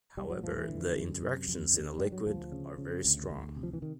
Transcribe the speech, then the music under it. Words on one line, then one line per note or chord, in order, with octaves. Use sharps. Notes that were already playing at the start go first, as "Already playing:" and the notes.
However, the interactions in a liquid are very strong.
B1 G3
F#3
A2 F3
E3
D3
F#2
C3
F2
D3
G2 G3
F#3
D2 F3
C#3
C#3
D2
D2
C3
F3
E3
D#3